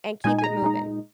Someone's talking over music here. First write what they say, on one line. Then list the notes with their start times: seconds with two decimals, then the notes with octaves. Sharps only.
and keep it moving."
0.24 A#2 G#3 D#4 G#5
0.38 G#5
0.44 A#5
0.62 A#2 G#3 D#4